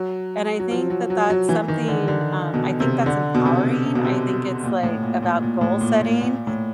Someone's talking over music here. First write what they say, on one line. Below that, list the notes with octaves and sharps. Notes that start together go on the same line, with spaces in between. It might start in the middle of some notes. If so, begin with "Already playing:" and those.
And I think that that's something, um, I think that's empowering. I think it's, like, about goal setting,
Already playing: F#3
F#3
F3
F#3
F#3
F#3
E3
D#3
D3
D3
B2
C3
D3
B2
C3
C3
B2
C3
A#2
A2
A#2
A#2
A#2
A2
A#2
A#2
A#2
A2